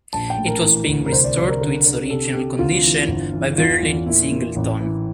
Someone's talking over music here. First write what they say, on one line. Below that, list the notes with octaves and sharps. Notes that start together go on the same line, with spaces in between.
It was being restored to its original condition by Verlin Singleton.
A#1 A5
G5
A2
A#4
E3
D2
A#4
C2 C5
D5
C2 C5
A#4
D3
D3
C3 A4
C3 G4
D2 F4
E3
G1
E3
E2 F4
E2
A#2 E4
A#2
A1
E3